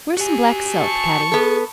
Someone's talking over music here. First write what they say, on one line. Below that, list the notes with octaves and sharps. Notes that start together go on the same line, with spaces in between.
"Where's some black silk, Patty?"
F#4 G4 G#5
A5 C#6
B3 G#4 A4